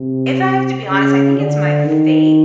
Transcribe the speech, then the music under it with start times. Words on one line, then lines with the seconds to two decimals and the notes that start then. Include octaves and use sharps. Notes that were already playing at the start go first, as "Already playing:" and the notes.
if I have to be honest, I think it's my faith.
Already playing: C3
0.89 C#3
1.37 D3
1.86 D#3